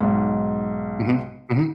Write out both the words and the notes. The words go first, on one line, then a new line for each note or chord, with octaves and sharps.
Mhm, mhm.
B1 G#2